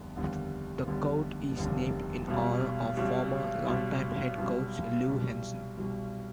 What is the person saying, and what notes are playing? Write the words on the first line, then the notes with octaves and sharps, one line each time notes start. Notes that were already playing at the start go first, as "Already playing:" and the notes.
The court is named in honor of former long-time head coach Lou Henson.
Already playing: F1 D#2 D3 G3 B3
F1 D#2 D3 G3 B3
F1 D#2 D3 G3 B3
F1 D#2 D3 G3 B3
B1 B2 G3 B3
B1 B2 G3 B3
B1 B2 G3 B3
B1 B2 G3 B3
C2 B2 G3
C2 B2 G3